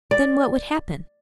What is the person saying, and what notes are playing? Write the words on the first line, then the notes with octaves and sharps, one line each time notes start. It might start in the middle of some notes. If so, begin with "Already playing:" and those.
"Then what would happen?"
D5